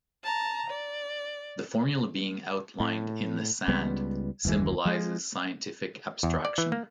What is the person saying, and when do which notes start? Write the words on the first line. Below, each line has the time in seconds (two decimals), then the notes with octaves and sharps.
The formula being outlined in the sand symbolizes scientific abstraction.
0.24 A5 A#5
0.70 D5
2.80 A2
3.68 C#2 G3 B3
4.45 F#1 D#2 E3 G#3
4.85 F3 G#3
6.23 E2
6.45 D5
6.58 E3
6.72 A#3